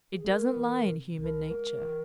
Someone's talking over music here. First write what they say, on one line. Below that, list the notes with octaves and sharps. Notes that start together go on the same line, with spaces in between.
It doesn't lie in human nature.
G#4
G#3 A#4
E3
C3
C2 A#4
G#3
E3